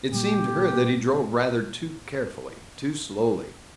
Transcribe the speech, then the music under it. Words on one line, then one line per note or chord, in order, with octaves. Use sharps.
It seemed to her that he drove rather too carefully, too slowly.
A#2 G3 A#3 G4